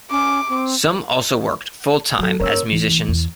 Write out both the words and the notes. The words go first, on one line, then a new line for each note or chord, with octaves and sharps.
Some also worked full time as musicians.
C#4 D6
C4
F#3 F#4 A4
A#3 C#4 A#4 C#5 E6
C2 E3
E2